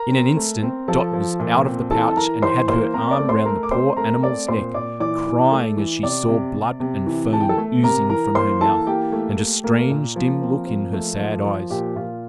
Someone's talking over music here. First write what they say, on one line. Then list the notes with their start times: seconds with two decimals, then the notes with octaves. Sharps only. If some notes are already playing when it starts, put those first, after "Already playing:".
In an instant Dot was out of the pouch and had her arm round the poor animal's neck, crying, as she saw blood and foam oozing from her mouth, and a strange dim look in her sad eyes.
Already playing: A#4 A#5
0.11 C4
0.37 A3
0.62 C4
0.88 F3 A4 A5
1.13 F3
1.40 A#2
1.65 C4
1.91 E3 A4 A5
2.12 A5
2.16 E3 A#4 A#5
2.42 E3 C5 C6
2.68 A#3 C5 C6
2.94 C4 A#4 A#5
3.11 D5 D6
3.20 A3
3.29 C5 C6
3.45 A3 A#4 A#5
3.63 D6
3.71 C4 C5 C6
3.97 A3 A#4 A#5
4.23 C4 D5 D6
4.48 A#2 C5 C6
4.74 A#2 D5 D6
5.00 E3 D5 D6
5.27 E3
5.52 A3
5.77 E3
6.03 C3 D5 D6
6.29 C3
6.55 C3
6.80 C3
7.06 E3
7.32 E3 A5
7.40 G5
7.49 A4 A5
7.58 A3
7.83 C3 A#4 A#5
8.10 E3 A#4 A#5
8.35 A#3 C5 C6
8.61 E3 A4 A5
8.87 A#3 G4 G5
9.12 A3
9.38 A3
9.64 A3 A#3 A#4
9.90 A#2
10.16 F3
10.42 C4
10.67 F3
10.93 A3
11.19 F3
11.44 F3
11.70 A#2 G4
11.96 A#2 F4